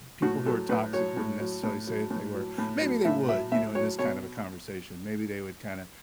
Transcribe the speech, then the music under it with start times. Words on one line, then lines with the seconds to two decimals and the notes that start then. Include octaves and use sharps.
people who are toxic wouldn't necessarily say that they were. Maybe they would, you know, in this kind of a conversation. Maybe they would kinda,
0.22 A2 F#4
0.46 F#3 A4
0.69 A2 B4
0.93 F#3 C#5
1.17 A2
1.40 F#3
1.63 A2
1.87 F#3
2.10 A2
2.34 F#3
2.58 A2
2.81 F#3
3.05 A2 E5
3.29 F#3 E5
3.52 A2 E5
3.75 F#3 C#5
3.99 B2 C#5